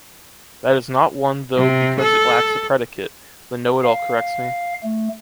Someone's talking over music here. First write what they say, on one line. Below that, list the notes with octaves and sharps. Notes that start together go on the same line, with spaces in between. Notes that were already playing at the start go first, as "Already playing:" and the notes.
That is not one though because it lacks the predicate, the know-it-all corrects me.
C3
A4
F5
A3